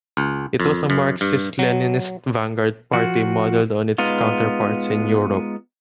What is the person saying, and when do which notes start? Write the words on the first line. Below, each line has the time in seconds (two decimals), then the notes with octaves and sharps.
It was a Marxist-Leninist vanguard party modeled on its counterparts in Europe.
0.17 C#2
0.60 F2
0.90 F#2
1.21 G2
1.59 F#3
2.93 F3 F#4
3.98 G#3 B3 D#4 F4